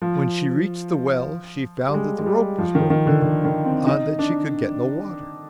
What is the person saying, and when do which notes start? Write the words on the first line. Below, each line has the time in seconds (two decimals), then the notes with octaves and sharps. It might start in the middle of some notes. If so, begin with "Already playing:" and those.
When she reached the well, she found that the rope was broken and that she could get no water.
0.02 F3
1.88 G3
1.94 G#3
2.18 G#3
2.26 G3
2.58 F3
2.75 D#3
2.90 D#3
3.07 D3
3.22 D3
3.45 D#3
3.65 C4
3.87 D#4
4.19 D4